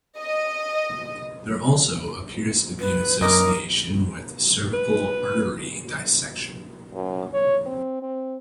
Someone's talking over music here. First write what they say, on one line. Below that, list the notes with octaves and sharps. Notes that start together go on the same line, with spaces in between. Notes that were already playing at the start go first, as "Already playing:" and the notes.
There also appears to be an association with cervical artery dissection.
D#5
B4
F#2 A#4 D#5 D6
B4
F#2
C#5
C4
C4